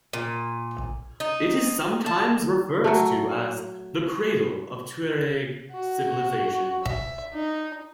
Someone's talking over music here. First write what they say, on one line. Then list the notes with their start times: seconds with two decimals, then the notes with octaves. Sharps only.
It is sometimes referred to as the "cradle of Tuareg civilization".
0.13 A#2
1.20 D#4
2.06 A5
2.84 F#3 A3
5.72 F#4
6.84 E5
7.33 D#4